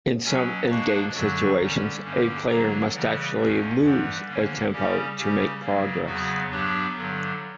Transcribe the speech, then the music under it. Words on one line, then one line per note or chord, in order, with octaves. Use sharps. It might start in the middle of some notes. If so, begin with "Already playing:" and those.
In some endgame situations, a player must actually "lose" a tempo to make progress.
B2 F#3 C#4 E6
B2 A#3 D4 C#6
F#2 D3 F#3 C#6
D3 G3 C#4
G2 D3 A#3 C#4
D3 F#3 A#3 A#5
C#3 E3 G3 F#5
E2 B2 A#3 C#4 E5
G2 E3 G3 F#5
D3 A#3 C#4
C#3 G3 C#4 G4
C#3 G3 C#4 G4
C#3 F#3 A#3
E2 C#3 F#3 B3 F#4
G2 F#3 B3 D4 G4
G2 D3 F#3